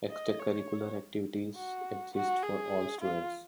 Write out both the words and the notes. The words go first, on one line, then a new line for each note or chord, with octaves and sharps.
Extracurricular activities exist for all students.
D#5
C#5
F#4
F#4
G#4
F4